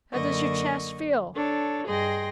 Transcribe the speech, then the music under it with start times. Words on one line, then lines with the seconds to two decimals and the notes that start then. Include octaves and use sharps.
"How does your chest feel?"
0.13 F#2 D3 A#3 D#5 C#6
1.35 D4 A4 C#5
1.87 G2 G#4 D#5 G5 C6 A#6